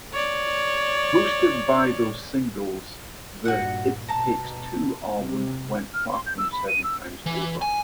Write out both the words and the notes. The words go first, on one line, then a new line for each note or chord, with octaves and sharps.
Boosted by those singles the "It Takes Two" album went platinum seven times over.
C#5 D5
G2 A#2 F#4 F#5
B2 A5 A#5
C3
F6
C6
G6
E6
B5
D#7
E6
E3
G#5